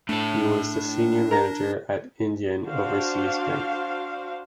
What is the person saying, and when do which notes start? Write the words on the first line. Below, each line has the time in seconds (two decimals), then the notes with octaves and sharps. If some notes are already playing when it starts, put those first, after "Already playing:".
He was the Senior Manager at Indian Overseas Bank.
0.09 A2 D4 A4
1.31 A#4 A#5
2.63 D4 F#4 C5 F5